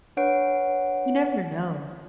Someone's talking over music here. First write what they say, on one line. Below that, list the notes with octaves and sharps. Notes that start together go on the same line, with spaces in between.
You never know.
D4 B4 C#5 F#5 D7